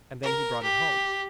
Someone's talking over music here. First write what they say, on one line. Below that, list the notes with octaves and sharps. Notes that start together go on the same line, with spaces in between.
And then he brought it home.
A#4
G4